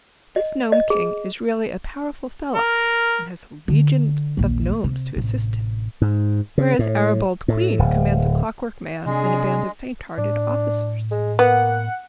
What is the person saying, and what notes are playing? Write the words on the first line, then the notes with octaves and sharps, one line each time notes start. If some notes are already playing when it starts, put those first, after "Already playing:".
"This Nome King is really a powerful fellow and has a legion of nomes to assist him, whereas our bold Queen commands a Clockwork Man and a band of faint-hearted officers."
D#5
D#5
G#4
A#4
D3
A#1 D#2
C3
A1 C3
G#2
C#3
A2
A2
D1
C3 G#3 D4 G#4
A2 D4
G#3
A#3 B3 F#5